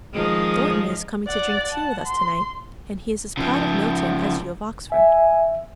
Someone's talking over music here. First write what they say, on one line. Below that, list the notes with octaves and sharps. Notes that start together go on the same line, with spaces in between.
Thornton is coming to drink tea with us to-night, and he is as proud of Milton as you of Oxford.
D#3 F3 G#3
D5 F#5
F#5 A5
C6
C#3 F3
E5 G#5